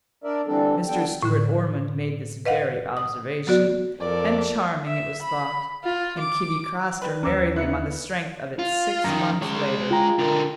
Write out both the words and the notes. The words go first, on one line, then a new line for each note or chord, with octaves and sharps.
Mr. Stuart Ormond made this very observation; and charming it was thought; and Kitty Craster married him on the strength of it six months later.
D4 A#4 D5 E5
D3 E3 G3 C4 D4 A4
F3
G3 B3 D4 A4 G5
A2 D3
B4 D#5 F5 F#5
D#6
F#3 B3 F#4 D5
F2 A4 A#4 D5
E5
B5
F4
D6
G3 B4
D#2 C#4 A#5 D6 E6
B3 D#4 E4 F#6 C#7
F4
F#2 D#3 A#5
G#3 C#5
F4 G5 A#5
D3 A#4